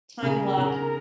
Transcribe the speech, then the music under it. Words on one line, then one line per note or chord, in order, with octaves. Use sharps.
time block,
C#3 A#4
C#3